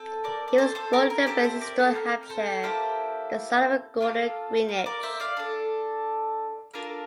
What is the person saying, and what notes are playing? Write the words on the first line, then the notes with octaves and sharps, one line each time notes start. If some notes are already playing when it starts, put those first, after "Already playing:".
He was born in Basingstoke, Hampshire, the son of Gordon Greenidge.
Already playing: C4 A4
A#4 D5
D5
A4 C5
A4 C5
A#4
A#4
C4 E4 G4 A4 C5
C5 E5
A#4 D5
A4 C5
A#4
A#4
A4 C5
A#3 E4 G4 A4 C5
A#3 F4 A4
C5
A#4
A#4 D5
C5 E5
D5 F5
D4 A4
A#3 D4 F4 A4 A#4